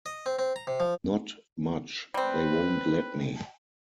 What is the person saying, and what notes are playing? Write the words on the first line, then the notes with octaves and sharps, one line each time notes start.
Not much; they won't let me.
D#5
C4
C4
A#5
C3
F3
G3 C4 B4